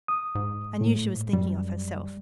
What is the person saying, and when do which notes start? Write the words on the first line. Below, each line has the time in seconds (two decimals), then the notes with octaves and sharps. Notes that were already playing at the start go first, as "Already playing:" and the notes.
I knew she was thinking of herself.
0.08 D#6
0.35 G#2
0.81 A2
1.33 F#2 G3